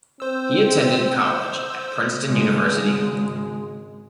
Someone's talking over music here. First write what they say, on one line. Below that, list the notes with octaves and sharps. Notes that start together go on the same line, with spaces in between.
He attended college at Princeton University.
C4 C5 E6
G#1 C#3 G#3